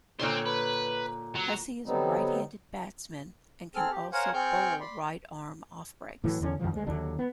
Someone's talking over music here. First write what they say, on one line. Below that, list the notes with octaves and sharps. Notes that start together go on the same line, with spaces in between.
Hussey is a right-handed batsman and can also bowl right-arm offbreaks.
A#2 D3 C4 C5 C#5
B4
F#3
D3 F#3 G3 B3 C4 D#4
C4 G#4 A4 F6
G4
A#4 C5 C#5 F5 F#5 G#5
C4 G#4 G5 C#6 F6 G6
D5 B5 C6
A2 E3 F#3
E2 D3 C4 C#4
F#2 B2 D#3 F3
D2 G#3
D#2 D3 F#3 D4
B3